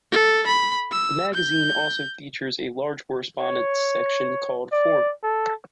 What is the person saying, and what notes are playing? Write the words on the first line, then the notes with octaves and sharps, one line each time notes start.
The magazine also features a large correspondence section called "Forum".
A4
B5
E6
G6
C#5
D5
A4